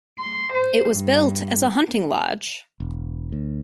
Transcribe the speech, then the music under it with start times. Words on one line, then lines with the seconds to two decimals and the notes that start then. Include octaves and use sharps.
It was built as a hunting lodge.
0.19 C6
0.54 C5
0.90 G2
2.80 E1
3.32 D2